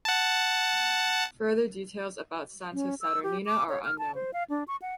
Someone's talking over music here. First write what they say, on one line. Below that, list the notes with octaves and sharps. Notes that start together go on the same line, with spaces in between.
Further details about "Santa Saturnina" are unknown.
F#5 A5
C#4
E6
G4
D6
C#5
F6
A5
C5
F5
D4
C#6
F#5